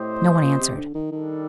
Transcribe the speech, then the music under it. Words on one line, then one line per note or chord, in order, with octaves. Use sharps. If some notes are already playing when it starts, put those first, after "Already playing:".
No one answered.
Already playing: A2 C4 G4 C5 D#5
A#2
C3
D3
D#3
D#3 G3 D4 A4